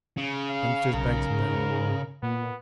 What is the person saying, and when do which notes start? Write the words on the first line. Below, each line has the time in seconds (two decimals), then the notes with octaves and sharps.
"Dempster's Bank's better."
0.17 C#3
0.50 F5
0.94 B1 A#4
1.30 G#2
2.23 A#2 B3